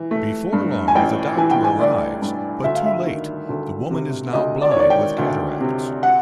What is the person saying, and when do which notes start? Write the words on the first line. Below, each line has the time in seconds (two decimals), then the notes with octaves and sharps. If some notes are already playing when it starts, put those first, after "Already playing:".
Before long, the doctor arrives, but too late-the woman is now blind with cataracts.
Already playing: E3
0.11 A3
0.53 G2
0.88 G#5
0.95 A1 G5
1.37 E3 G#5
1.51 G5
1.64 G#5
1.79 A3 D5
2.22 G2
2.64 D2 E5
2.75 F5
2.86 E5
3.07 D#3
3.49 D2
3.91 C3
4.33 D2 D#5
4.62 D5
4.71 C#5
4.76 D#3 D5
4.90 G5
5.18 D2
5.60 C3
6.03 F#5